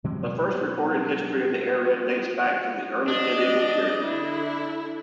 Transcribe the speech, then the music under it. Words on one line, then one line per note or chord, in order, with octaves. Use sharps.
The first recorded history of the area dates back to the early medieval period.
B2 F#3 G#3 C4
D4 D#5
D3 E4